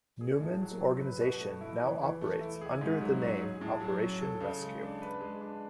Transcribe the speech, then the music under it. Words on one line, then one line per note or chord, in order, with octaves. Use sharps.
Newman's organization now operates under the name Operation Rescue.
G#4
A2
F#3
C#4
B4
B2
A3
E4
E3
E3
A3
E4
G#4
G#2
F#3
C#4
G#4
A2
F#3
C#4
A4
C#3
G#3
D4
B4
G#3
D4